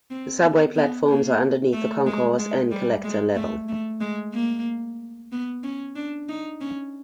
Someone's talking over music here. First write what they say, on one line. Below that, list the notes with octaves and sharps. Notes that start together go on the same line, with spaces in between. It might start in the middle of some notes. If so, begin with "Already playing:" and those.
The subway platforms are underneath the concourse and collector level.
C4
B3
B3
A#3
A3
G#3
G#3
G3
G#3
A3
A3
G#3
A#3
B3
C#4
D4
D#4
C#4